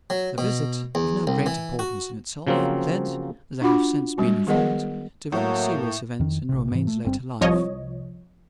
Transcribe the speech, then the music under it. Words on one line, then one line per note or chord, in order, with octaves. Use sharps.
The visit--of no great importance in itself--led, as I have since been informed, to very serious events in Romayne's later life.
F#3
B2
E2
C2
E3
F#4
C#3 F3 F#3 A#3 C4
D4 F4 F#4 F#5 B5 D6
G3 G#3 C#4 F#4
D#3 B3 G#4 A#4 D#5 F#5
A2 F#3 A#3
F2 D#3
A1 C3
G#2 E3
A3
G1 G2 C4
C2 F3 C#5 D#5